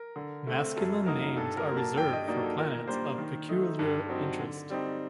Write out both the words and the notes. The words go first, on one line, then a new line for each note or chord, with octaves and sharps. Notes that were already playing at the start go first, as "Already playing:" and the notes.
Masculine names are reserved for planets of peculiar interest.
Already playing: A#4
D3
A3 C4
F#2 A4
F#3 A#3 D#4 A#4
G2 A4
A#4
F#3
A#3 A5
G2 G5
D#5
F#3 A#3 D#4 D5
A4
A#2 A#4
G3 A#3 D4 C5
D#3
A3 D#4
G2
F#3 C4 D#4
D3
G3 C4 D#4